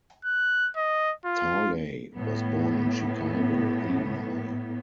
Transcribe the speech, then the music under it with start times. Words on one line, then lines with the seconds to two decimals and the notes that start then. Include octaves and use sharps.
Talley was born in Chicago, Illinois.
0.25 F#6
0.77 D#5
1.25 F4
2.15 A2 B3